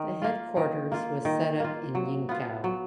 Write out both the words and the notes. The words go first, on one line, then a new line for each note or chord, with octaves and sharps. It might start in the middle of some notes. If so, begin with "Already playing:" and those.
The headquarters was set up in Yingkou.
Already playing: D#3
A#3 F4
D#3
A#3 F4
D#3
A#3 F4
F#3
B3 F4
F#3